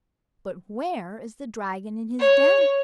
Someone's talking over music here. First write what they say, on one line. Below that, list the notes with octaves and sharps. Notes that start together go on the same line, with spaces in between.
But where is the Dragon in his den?
C#5